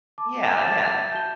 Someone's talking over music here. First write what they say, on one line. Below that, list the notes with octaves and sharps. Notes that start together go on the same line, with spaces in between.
Yeah. Yeah.
A5 D6
E5 A5 D6 A6 E7
F#4 A5 G6 G7